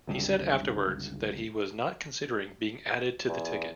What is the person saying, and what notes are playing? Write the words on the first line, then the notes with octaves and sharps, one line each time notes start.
He said afterwards that he was not considering being added to the ticket.
G1 C#2 G2
E2